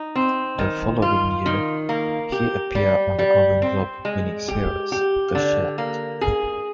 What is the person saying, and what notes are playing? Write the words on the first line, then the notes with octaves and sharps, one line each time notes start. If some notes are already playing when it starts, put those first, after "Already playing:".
The following year, he appeared on the Golden Globe winning series, "The Shield".
Already playing: D#4
C4
D#3
F4
D#3
A#3
G4
G3
G3
C4
G#3
G4
G4
D3
A#3
G#4